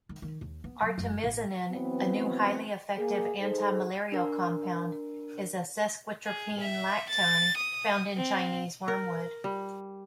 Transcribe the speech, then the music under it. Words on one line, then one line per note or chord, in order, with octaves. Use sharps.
Artemisinin, a new, highly-effective anti-malarial compound, is a sesquiterpene lactone found in Chinese wormwood.
D#3
D#3
D#2
B3
F#3
F#1
A1
E3 F#3 B3 C4
A#3 G#4
D#4 G#4 A4 C5
D4 A#4
G#4
E5
A6
D#6
C4
A#4
G3